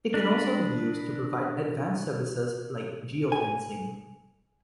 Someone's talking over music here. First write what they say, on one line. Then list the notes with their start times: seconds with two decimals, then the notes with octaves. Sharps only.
It can also be used to provide advanced services like Geo-fencing.
0.14 D4 A#4 B4 B5
3.32 G#5